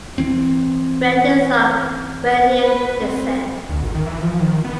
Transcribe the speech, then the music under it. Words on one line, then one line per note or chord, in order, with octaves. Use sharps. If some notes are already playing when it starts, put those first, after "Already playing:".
Rad is of Iranian descent.
E3 C4
B4
C4
D2
G#1
D#3
E3
F3
D#3
B3